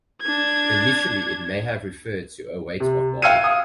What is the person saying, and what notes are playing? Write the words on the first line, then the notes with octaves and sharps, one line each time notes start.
Initially, it may have referred to a weight of barley.
D4 G#6
C3
F5 G5 E6 G#6 C#7 D#7
D#6